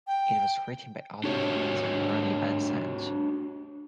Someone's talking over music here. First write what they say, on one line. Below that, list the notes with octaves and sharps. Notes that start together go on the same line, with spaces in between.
It was written by Allen Collins and Ronnie Van Zant.
G5
D4 F#4 G4 C#5